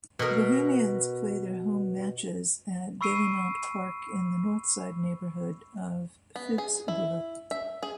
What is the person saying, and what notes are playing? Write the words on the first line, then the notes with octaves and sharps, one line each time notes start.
Bohemians play their home matches at Dalymount Park in the Northside neighbourhood of Phibsborough.
B2 A#4
B5 C#6 E6 C7 D7 D#7
B3
G#4
E4
E5
G#4